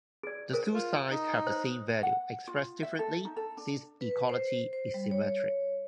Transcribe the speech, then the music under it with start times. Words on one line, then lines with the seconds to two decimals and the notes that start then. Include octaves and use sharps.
The two sides have the same value, expressed differently, since equality is symmetric.
0.23 G#4 D5
0.53 G#4 A#4 C5
0.74 F4
1.10 D#4
1.47 C5
2.03 F#5
2.48 F4
2.83 E5
2.99 A4
3.25 D#4
3.36 A4
3.57 D4
4.01 B4
4.29 C5
4.73 C5
4.94 G3
5.11 C#5